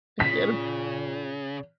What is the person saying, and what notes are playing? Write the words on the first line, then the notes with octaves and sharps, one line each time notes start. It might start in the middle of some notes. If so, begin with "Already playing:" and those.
I can't
A#2 C#3 B6